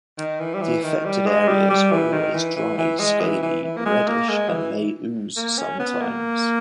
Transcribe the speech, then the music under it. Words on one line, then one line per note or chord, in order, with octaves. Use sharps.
The affected areas are always dry, scaly, reddish and may ooze sometimes.
D#3
E3
G3
E3
D#3
G3
G#3
G3
G3
E3
D#3
E3
E3
E3
G#3
E3
E3
E3
A#3
G#3
A#3
G#3
E3
A#3
C#4
B3
A#3